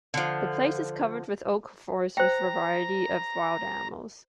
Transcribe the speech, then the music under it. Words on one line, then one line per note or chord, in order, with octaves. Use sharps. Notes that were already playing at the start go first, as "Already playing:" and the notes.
The place is covered with Oak forests with variety of wild animals.
D3 F3
C5 G5 A#5